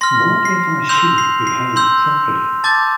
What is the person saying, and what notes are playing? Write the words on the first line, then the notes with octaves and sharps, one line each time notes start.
What if I shouldn’t behave properly?
C6 F6 A#6
C7
C6 E6 G6 F7
C7
C7
C6 E6 G6
A5 D6 G6 A6